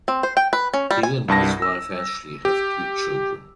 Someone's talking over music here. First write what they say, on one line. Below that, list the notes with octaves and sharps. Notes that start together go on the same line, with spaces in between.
He and his wife Ashley have two children.
C4
C5
G5
B4
C#4
G3
G#5
C2 G2 A5 A#6
E6
G4